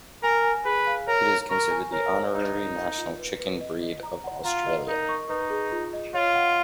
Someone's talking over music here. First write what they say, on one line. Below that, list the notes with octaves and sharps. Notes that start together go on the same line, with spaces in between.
It is considered the honorary National Chicken Breed of Australia.
A#4 G#5
G#5
G#4 B4
F5
A#4 C#5
A#5
A#4 C#6
G#5
A#4 C#5
C#5
D#4 D#5
A#4
A#5
F4
B4
B4
D#5
D#5
A#5
F#5
F4 A#5
D#5
D#4 A#4
C#6
D#4 B4
G#4
F4
D#5
F4 C#5
F#5